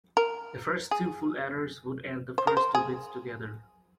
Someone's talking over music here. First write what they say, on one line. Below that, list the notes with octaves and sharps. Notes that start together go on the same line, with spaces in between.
The first two full adders would add the first two bits together.
A#4
G#4
C5
A#4
C5
G#4